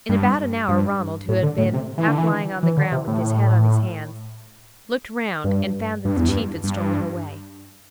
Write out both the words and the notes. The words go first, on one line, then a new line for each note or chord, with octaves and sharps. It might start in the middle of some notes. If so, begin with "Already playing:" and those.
In about an hour Ronald, who had been half lying on the ground with his head on his hands, looked round and found that the chief had stolen away.
G2
G2
A2
D3
A2
C3
E3
D3
E3
E3
D3
C3
A2
G2
G2
E2
G2
G2